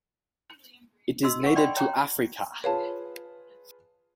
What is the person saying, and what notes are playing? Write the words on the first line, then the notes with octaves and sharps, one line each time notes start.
It is native to Africa.
F#4 D#5 C6 E6
F#5 C#6
D5 D#5 G5 B5 C6
C#5 G5 A#5
F4 G#4 B4 C#5 F5 A5